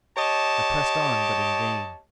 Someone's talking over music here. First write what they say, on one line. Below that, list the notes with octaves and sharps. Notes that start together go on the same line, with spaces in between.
I pressed on, but in vain.
G4 C#5 D#5 A5